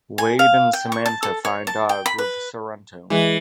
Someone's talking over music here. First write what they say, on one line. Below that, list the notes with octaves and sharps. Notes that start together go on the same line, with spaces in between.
Wade and Samantha find Og with Sorrento.
G#5
F5
G5
C#6
A5
A4
C#5
A5
G5
B5
B4
E3 G#3